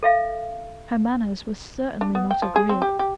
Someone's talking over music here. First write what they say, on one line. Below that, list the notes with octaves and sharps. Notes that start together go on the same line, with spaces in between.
Her manners were certainly not agreeable.
A4 E5 F5
D4
B3
G5
F3
G#4
C4
G4
G4